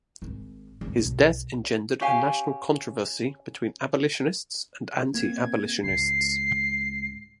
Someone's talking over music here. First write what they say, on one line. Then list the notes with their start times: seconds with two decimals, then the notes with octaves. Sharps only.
His death engendered a national controversy between abolitionists and anti-abolitionists.
0.22 G#1
0.81 G#1
0.99 B1
2.01 C#4 G4 F5 G#5
5.14 A#3 C4 G#6
5.83 C#2 G#2 C7